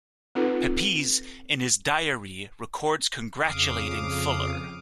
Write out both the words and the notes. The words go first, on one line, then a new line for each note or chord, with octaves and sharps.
Pepys in his Diary records congratulating Fuller.
C4 D#4 F4 A4 B4
F2 C#3 F5 D6 D#6